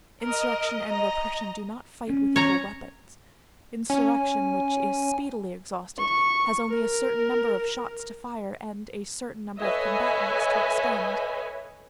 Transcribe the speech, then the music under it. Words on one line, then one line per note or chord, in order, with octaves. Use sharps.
Insurrection and repression do not fight with equal weapons. Insurrection, which is speedily exhausted, has only a certain number of shots to fire and a certain number of combatants to expend.
A#4 D#5
A#5
C#4
C#5 A#5
C#4 G#5
C#6
A#4
A4 B4 C#5 D#5 E5 G#5